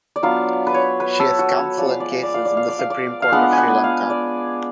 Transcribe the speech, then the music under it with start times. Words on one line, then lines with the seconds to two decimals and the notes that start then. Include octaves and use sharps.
She is counsel in cases in the Supreme Court of Sri Lanka.
0.16 D5
0.23 F#3 B3 D4 F4 F5
0.67 B4
0.74 C#5
1.00 B4
1.20 A4
1.39 F#4
1.59 C#5
1.78 F3 G#3 B3 D5
1.88 F5
2.00 D5
2.12 F5
2.23 D5
2.34 F5
2.45 D5
2.57 F5
2.68 D5
2.79 F5
2.90 D5
3.22 F5
3.32 G#3 B3 D4 F4 F#5
3.52 G#5
3.58 F#5
3.84 F5
4.10 D5